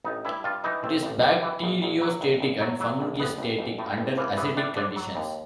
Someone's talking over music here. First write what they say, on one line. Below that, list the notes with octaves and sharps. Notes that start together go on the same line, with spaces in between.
It is bacteriostatic and fungistatic under acidic conditions.
A1 D#4
G2 E4
G2 F4
E3 D#4
A1 C4
A1
G2
E3
A#1
A#1
F#3
A#1
A#1
F#3
F#3
A#1
A1 B3
A1
A1
A2
A1
E3 A#3
E3 B3
A2 D4
D3 D4
F#3
D#2